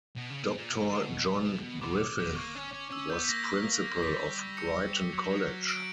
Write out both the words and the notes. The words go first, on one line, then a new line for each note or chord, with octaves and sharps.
Doctor John Griffith, was Principal of Brighton College.
B2
C#3
B2
A#2
B2
D3
B2
A#2
B2
B2
B2 D6
D6
B2 D6
A#3 C#6
C#4
C#4
C#4 E6
B3 G6
B6
A#3 A#6
G3 B6
C#7
F#3
D7